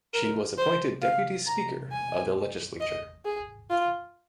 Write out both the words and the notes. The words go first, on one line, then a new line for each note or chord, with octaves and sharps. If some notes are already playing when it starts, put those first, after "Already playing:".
She was appointed deputy speaker of the legislature.
A#4
C5
F5
A#5
G#5
D#5
G#4
F4